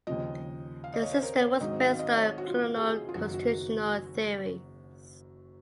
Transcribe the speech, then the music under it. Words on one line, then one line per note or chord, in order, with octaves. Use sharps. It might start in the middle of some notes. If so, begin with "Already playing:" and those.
The system was based on colonial constitutional theories.
D#2 C#3 F3 D#5
F5
D#5
C#5
C5
A#4
C#5
G#2 D#3 F#3 C4 D#4 D#5
F5
D#5
C#5
F#4
F4
F#4
G#4
F4
F#1 F#2 D#3 F#3 F#4
F#4